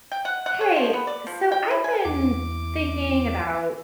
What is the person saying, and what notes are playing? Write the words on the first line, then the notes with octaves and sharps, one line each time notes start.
Hey. So I've been thinking about
G5
F#5
F#5
C#5
F3
B3
D5
F3
G5
E4
G#5
E2 D6